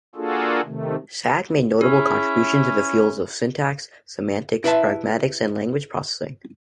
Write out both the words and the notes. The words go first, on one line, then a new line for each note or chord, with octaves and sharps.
Sag made notable contributions to the fields of syntax, semantics, pragmatics, and language processing.
A#3 D4 F4 F#4 G#4 A4
C3 D#3 A3
C#4 E4 G#4
E4 B4 E5 A5